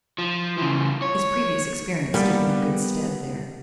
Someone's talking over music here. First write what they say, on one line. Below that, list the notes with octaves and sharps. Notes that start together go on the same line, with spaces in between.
His previous experience stood him in good stead there.
F3
C#3 E3
C#5
G3 A#3 B3 A4